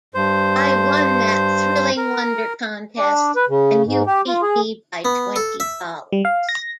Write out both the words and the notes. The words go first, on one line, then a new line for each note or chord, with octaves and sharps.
I won that "Thrilling Wonder" contest, and you beat me by twenty dollars.
G2 C5
A#4
D4
B4
C#3
G#2
G4
F4
G#4
B3
A4
E5
G3
F5
A#6